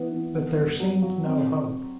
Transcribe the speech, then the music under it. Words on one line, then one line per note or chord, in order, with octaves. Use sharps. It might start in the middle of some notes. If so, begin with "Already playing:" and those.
But there seemed no hope.
Already playing: E3 B3 E4
E3
B3
G2
F#3
F#4
C4